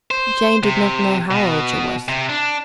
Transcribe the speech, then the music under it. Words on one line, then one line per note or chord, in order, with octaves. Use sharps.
Jane did not know how old she was.
C5
C3
B2
C3
D4